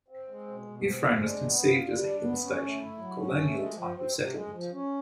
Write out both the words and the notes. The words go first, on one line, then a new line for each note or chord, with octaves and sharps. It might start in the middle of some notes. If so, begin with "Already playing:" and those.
Ifrane was conceived as a "hill station" or colonial type of settlement.
C4
G#3
B2
B2
C4
G#3
D4
B3
F4
G3
D4
B3
C#4
A3
E4
F#3
C#4
A3
G#3
F3
C4
C3
G#3
F3
C#4